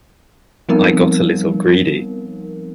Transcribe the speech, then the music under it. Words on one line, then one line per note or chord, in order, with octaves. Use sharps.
I got a little greedy.
F3 G3 B3 C4 D#4 A#4